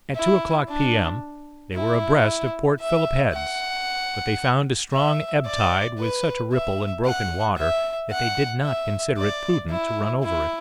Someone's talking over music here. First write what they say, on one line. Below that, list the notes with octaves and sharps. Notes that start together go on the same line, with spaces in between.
At two o'clock p.m. they were abreast of Port Philip Heads; but they found a strong ebb tide, with such a ripple and broken water that they did not consider it prudent to run over it.
E4
D4
E4
E5
F#5
E5
D5
B4
E5
F#5
E5
F#5
E5
D5
E4
E4